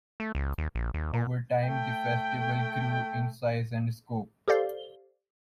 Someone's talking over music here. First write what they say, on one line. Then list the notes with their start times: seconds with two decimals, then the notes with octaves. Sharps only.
Over time the festival grew in size and scope.
0.20 A3
0.35 C#2
0.58 D#2
0.75 A#1
0.94 D#2
1.13 A#2
1.64 A3 G5
4.48 G4 A4 C5 D5 F5